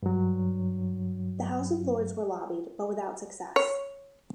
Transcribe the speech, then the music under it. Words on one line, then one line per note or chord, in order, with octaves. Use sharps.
The House of Lords were lobbied, but without success.
G2 F#3
C#5